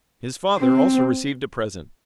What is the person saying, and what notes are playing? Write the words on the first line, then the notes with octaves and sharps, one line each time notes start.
His father also received a present.
C4